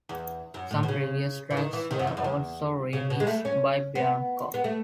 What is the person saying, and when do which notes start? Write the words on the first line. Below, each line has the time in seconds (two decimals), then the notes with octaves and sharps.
Some previous tracks were also remixed by Bianco.
0.09 E2
0.54 F#2
0.71 A2
0.83 B2
0.88 C#3
1.50 E3
1.57 D#3
1.73 E3
1.91 D#3
1.99 F#2
2.07 E2
2.17 F#2
2.24 E2
2.93 C#3
3.10 B2
3.20 G#3
3.27 A3
3.45 C#4
3.95 B3
4.54 B3
4.64 A3